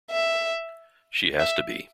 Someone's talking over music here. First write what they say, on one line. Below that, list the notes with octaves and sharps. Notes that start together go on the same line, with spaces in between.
She has to be.
E5
E5